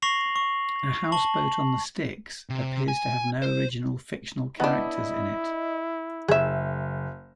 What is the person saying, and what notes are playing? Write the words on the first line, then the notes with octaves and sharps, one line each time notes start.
"A House-Boat on the Styx" appears to have no original fictional characters in it.
C#6 A#6 C7 F7 F#7
C#6
A5 C#6 F#7
C3
G#5
C5
B3 D4 E4 D#5 B5
F#1 G#4 E5